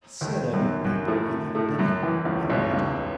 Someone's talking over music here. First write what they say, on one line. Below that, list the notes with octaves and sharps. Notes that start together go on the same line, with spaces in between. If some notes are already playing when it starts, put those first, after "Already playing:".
"I said I'd eat paper, and I've done it; haven't I, gentlemen?"
D#2 D#3
F#2 F#3
F#2 F#3
A2 A3
A2 A3
F#2 F#3
E2 E3
C#2 C#3
B1 B2
C#2 C#3